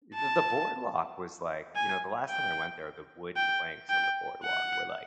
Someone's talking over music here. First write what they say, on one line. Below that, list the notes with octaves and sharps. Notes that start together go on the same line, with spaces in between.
The the boardwalk was, like you know, the last time I went there, the wood planks on the boardwalk were, like,
A5
G#5
G5
G5
G5
F#5